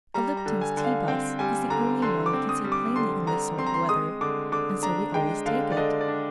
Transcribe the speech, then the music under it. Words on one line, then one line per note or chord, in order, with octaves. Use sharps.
A Lipton's Tea 'bus is the only one we can see plainly in this sort of weather, and so we always take it.
G3 A#5
A#5
D3
G#5
D3
F5
C4 G5
G3 G#5
D3 A#5
D3 C6
D6
C4
D#6
G3
D6
D3 C6
D3 A#5
C4 C6
A#5
C6
G#3 D#6
D3 D6
D3 D6
D4 A#5
G#3 G5
D3 F5
D5
D3 D#5
D5
D4